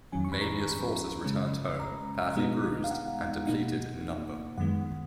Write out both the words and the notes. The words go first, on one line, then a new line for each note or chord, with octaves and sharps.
Mavia's forces returned home, badly bruised and depleted in number.
F2 D#3 F#3 C#4 G#5
C#6
B5
A#5
B5
C#3 G#3 C#4
A#5
B2 G#3 B3 D#4
F5
F#5
B2 A#3 D#4
F#2 D#3 G#3 B3 F#5